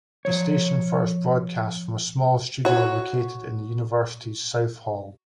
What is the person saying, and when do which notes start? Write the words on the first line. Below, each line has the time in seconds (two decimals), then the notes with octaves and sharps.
The station first broadcast from a small studio located in the university's South Hall.
0.25 F3 C#5
2.65 F#4 C#5